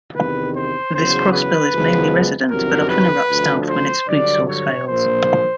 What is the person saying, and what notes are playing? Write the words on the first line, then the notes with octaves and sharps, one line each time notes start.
This crossbill is mainly resident, but often irrupts south when its food source fails.
E2 C3 D#3 B4
C5
E2 C#3 F#3 C5
B4
F#2 C#3 F3 G#3 B3
G1 F2 C3 D#3 F#3 A#4
B4
D2 D3 F3
C5
G2 D3 F#3 D5
C#5
A#1 A#2 F3 A#3 C5